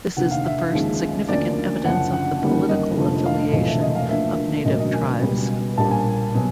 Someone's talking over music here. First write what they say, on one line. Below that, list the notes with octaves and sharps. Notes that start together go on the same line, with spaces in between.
This is the first significant evidence of the political affiliation of native tribes.
F1 D#2 D3 F#5
F5
E5
D#2 C#3 F3 G#3
D2 C#3 F3 A#3 D5
F#1 F#2 D3 F3 F#5
F#5
G1 F#2 D#3 G3 A#3
D#5
F1 F2 D3 F3 A3
F5
E1 E2 C3 F3 A3 D#5
E5
D#5
F5
D2 D3 F3 A#3 E5
E1 D2 C#3 F#3 A#3 D#5
D#5
G#5
C#2 B2 G3
A#1 A#2 G3 A#3 A5
G#5
B2 F#3